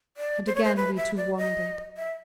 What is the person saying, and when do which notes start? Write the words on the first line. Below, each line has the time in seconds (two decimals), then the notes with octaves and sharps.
And again we two wandered.
0.17 D5
0.47 C5
0.55 C#5
0.64 C5
0.76 B4
0.97 E5
1.17 D5
1.37 D#5
1.97 E5